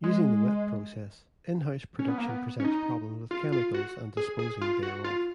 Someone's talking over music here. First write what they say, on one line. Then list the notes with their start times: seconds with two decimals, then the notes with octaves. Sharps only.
Using the wet process, in-house production presents problems with chemicals and disposing thereof.
0.04 G#3
1.99 C#4
2.08 B3
2.18 A#3
2.27 B3
2.60 C#4
2.64 D#4
3.31 F4
3.52 F4
3.74 F#4
4.17 G#4
4.39 G#4
4.61 F4
4.83 F#4
5.04 F4